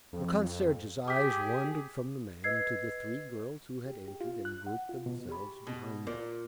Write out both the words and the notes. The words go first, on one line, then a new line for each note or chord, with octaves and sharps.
The concierge's eyes wandered from the man to the three girls who had entered and grouped themselves behind him.
F2
G4 G#4 D6 B6
B4 D#5 E6 G#6 C7
G4
G4
F4
F#6
F#5
F4
B2
G4 G#4 B5
B2
A#2 A#4